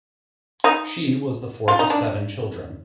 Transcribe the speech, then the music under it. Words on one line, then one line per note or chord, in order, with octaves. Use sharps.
She was the fourth of seven children.
D#4
F4
D#4
D4